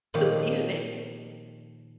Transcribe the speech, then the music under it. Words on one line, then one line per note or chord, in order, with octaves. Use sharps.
the seasoning.
A#2 D#3 F3 G4 C#5 F5